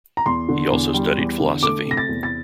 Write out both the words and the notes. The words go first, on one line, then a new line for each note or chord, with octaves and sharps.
He also studied philosophy.
A#5
E2 C6
D3
E2
G3
E2
D3
A3 D6
C3
A#6
A6
E2
A6